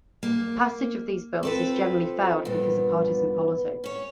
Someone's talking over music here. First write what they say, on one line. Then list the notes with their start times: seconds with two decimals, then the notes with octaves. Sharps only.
Passage of these bills has generally failed because of partisan politics.
0.23 A#3
1.43 F3 C4 A4 B4
2.45 G2 A#2 B3
3.84 C#4 C#5